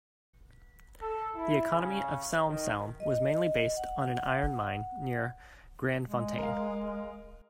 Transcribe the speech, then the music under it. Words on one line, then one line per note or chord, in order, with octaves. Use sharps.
The economy of Salm-Salm was mainly based on an iron mine near Grandfontaine.
A4
E4
C#3
D#3
D#5
F#5
G#3
A#4 F5